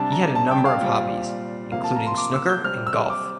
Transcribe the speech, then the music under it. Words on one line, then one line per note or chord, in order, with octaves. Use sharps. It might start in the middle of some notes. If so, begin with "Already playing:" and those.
He had a number of hobbies, including snooker and golf.
Already playing: C3 G3 D4 A5
A#5
A5
G5
F5
A#2 G3 C4
C3 F3 A#3 F5
A5
A#5
C6
D6
E6
G6
C3 G3 C4 F6
E6
D6